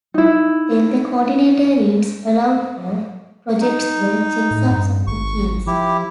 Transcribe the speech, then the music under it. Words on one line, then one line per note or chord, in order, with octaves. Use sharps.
Then the coordinator reads aloud or projects the checksums of the keys.
D#4 E4
D#4
A2
G2
G#1 C#6
F3 E4 G4